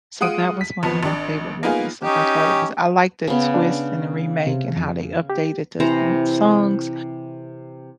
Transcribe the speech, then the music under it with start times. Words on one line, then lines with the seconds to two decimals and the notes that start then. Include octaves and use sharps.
So that was one of my favorite movies, like, I thought it was I like the twist and the remake and how they updated the m songs,
0.21 G#3 F4 F#5 D#6 D7 D#7
0.61 B6
0.83 G#1 F3 B3
1.03 G#1 D4
1.63 A#3 B3 D#4 F4 G#4
2.03 C#4 D#4 G4
3.27 C#3 B3
3.54 D4
4.47 C3
4.77 F2
5.30 G4
5.80 C3 E3 C5 A#5